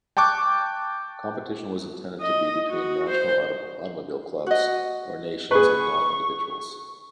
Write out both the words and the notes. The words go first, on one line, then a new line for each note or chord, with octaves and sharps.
Competition was intended to be between national automobile clubs, or nations, and not individuals.
G5 A5 C#6 D6 F#6
D#5
F#4
C5
F#4 D#5
G#4 B4 C#6